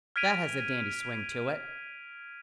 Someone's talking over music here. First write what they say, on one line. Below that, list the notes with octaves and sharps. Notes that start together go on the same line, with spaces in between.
"That has a dandy swing to it."
F6 G#6 B6 D7 D#7 F7